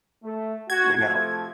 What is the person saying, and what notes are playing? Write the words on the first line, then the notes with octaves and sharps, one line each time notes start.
You know?
A3
F#4 G#6
C3 F3 A3